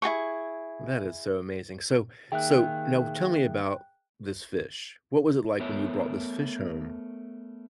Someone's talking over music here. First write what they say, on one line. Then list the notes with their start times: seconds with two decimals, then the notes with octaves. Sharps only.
That is so amazing. So so now tell me about this fish. What was it like when you brought this fish home?
0.02 E4 F#4 G#4 C#6
2.32 D#3 A#3 G#4 E5 G5 F#6
5.60 A3 B3 A#4 C#5 E5